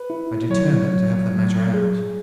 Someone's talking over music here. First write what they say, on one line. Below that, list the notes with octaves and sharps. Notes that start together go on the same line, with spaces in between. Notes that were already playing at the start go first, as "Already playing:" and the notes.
I determined to have the matter out.
Already playing: B4
E4
F#3 C#5
F#3
F#3
G#4